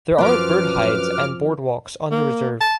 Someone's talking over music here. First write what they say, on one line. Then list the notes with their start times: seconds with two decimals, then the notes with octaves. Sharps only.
There are bird hides and boardwalks on the reserve.
0.18 F#2 F3 C4 B4 D6 F6
2.11 A#3
2.61 A5